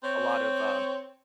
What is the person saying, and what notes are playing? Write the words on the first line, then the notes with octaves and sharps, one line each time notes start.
a lot of uh,
C4 C#5